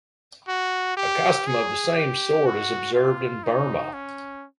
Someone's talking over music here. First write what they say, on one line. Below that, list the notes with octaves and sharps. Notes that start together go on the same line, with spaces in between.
A custom of the same sort is observed in Burma.
F#4
G4
G#4
G4
F#4
F4
D#4
C#4